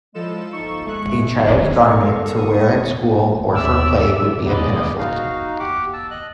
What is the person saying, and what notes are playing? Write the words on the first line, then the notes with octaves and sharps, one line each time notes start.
A child's garment to wear at school or for play would be a pinafore.
A2 F3 G3 G#3 A4 E7
D#4 C#6
G#3 A3 E5 C#6 F#6
F#3 B3 C#4 D#4 G#4 D#5
A4 A#4 F5 C#6
C#6 D#6
D#2 C#5 D5 E5 E6
A4
E2 C3 F#3 G#3 B4 D5 D#5
D#4 F#4 F5
G4 F#5 D6
A5 E6
D#5 F#6